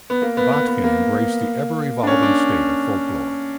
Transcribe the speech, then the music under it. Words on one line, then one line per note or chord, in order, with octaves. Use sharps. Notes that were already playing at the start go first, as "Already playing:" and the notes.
Botkin embraced the ever-evolving state of folklore.
B3
A#3
B3
B3
B3
A#3
D4
C#4
D4